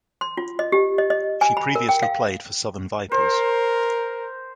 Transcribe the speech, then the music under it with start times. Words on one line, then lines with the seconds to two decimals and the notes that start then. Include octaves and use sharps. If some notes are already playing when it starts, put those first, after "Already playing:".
She previously played for Southern Vipers.
0.21 C6
0.37 F4
0.59 D#5
0.72 G4
0.98 D#5
1.10 D#5
1.41 G#5
1.57 B5
1.75 A#4
1.89 G5
2.03 F5
3.12 A#4 C5